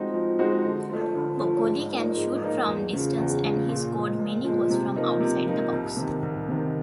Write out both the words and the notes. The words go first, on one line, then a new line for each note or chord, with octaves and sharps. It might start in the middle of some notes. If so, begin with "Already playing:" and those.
Boccoli can shoot from distance, and he scored many goals from outside the box.
Already playing: F3 G#3 C4 D#4 F#4
F3
G#3 C4 D#4 F#4
D3
F3 A3
D3
F3 A3
G#2
F3 A#3 D#4
G#2
F3 A#3 D#4
E2
C#3 F3
E2
C#3 F3
A#2
F3 G#3
A#2
F3 G#3
C3
F3 A#3 D#4
C3
F3 A#3 D#4
C2
C3 D#3
C2
C3 D#3